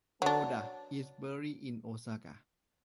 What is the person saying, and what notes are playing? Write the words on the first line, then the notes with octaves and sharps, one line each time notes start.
Oda is buried in Osaka.
F#3 D4